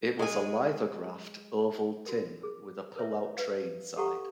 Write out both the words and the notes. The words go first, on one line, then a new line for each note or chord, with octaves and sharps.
It was a lithographed oval tin, with a pull-out tray inside.
G#3 G#5
F#4 A#4
G#4
A#4 B4 C#5 E5
B4 F5
G4 A4 F5 F#5 A#5 C#6